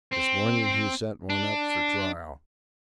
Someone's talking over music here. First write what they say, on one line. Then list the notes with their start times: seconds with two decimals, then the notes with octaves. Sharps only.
This morning he sent one up for trial.
0.13 C4
1.30 D4